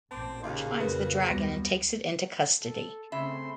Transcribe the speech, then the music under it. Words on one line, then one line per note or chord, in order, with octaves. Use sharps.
George finds the dragon and takes it into custody.
A1 A#2 C4 A5 D6
D#2 C#3 D#5 F5 C6
F2 A#3 F4 F#4 B4
D2 F#3 G3 B3 A#6
A4
C#3 A3 C4 E5 B5 C6